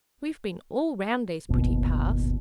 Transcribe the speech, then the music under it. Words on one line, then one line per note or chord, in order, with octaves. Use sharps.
We have been all round these pretty paths.
D1 G1 D#2 B2